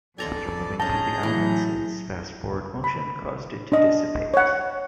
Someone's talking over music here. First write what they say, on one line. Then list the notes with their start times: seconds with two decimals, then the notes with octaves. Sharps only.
After moving through the islands, its fast forward motion caused it to dissipate.
0.18 F2 A4 D5 G#5 A#5 C6
0.80 C#4 G#4 D#5 A5 A#5 G6
1.23 A2 E3 F#3
2.84 B5
3.72 D4 D#5
4.34 C#5 F#5